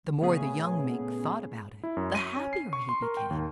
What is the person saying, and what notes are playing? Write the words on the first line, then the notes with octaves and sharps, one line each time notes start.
The more the young Mink thought about it, the happier he became.
A#2 C#3 A3 B3 C#4 G#4
E4
F#2
D#7
C#4
C7
C#6
C6
A#4
G5
D#2